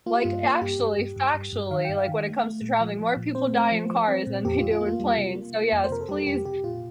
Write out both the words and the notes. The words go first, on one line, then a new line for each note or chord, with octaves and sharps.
like actually, factually, like, when it comes to traveling, more people die in cars than they do in planes, so, yes, please
A#3 F4
G4
G2 F4
A#3
G2 G4
G2
G2
G2
G2
G2
D#3 F5
G2 G5
F5
D#3
A3
A3
A#2
F3
F3
A#2
C4 C5
A3
F3
F3
C4
A#2
F2 G4
F4
F2
F4
A#3
F4
G3
C3
A#3
A#3
F2
C5
C3 A#4
A4
G3 G4
F2 G4
C3 G4
A#2 F4